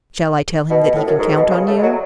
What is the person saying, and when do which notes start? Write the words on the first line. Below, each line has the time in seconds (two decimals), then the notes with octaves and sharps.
"Shall I tell him that he can count on you?"
0.70 B2
0.83 B2
0.95 A2
1.07 F#2
1.19 G#2
1.35 B2
1.50 C#3
1.67 A3
1.79 G#3
1.83 F#3